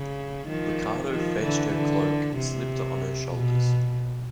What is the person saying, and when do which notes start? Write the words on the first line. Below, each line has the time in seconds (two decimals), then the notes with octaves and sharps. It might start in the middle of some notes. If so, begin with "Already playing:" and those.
Ricardo fetched her cloak and slipped it on her shoulders.
Already playing: C#3
0.48 D#3 F3
1.11 D#3 F3
1.42 D3 E3
1.73 D3
2.36 C3
3.31 B2